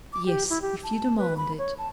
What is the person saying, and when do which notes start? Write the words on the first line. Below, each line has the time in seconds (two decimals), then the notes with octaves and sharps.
"Yes, if you demand it."
0.13 D6
0.26 G4
0.50 E4
0.62 G4
0.84 A5
1.18 B4
1.37 B5
1.58 C#5
1.78 A5